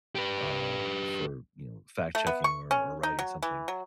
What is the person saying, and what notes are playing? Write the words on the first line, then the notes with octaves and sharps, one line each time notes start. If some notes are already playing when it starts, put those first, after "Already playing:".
uh, for, you know, fact checking or or writing something.
G4 B4
A3
B3
C#6
C#4
D#4
F#3
E3
F#3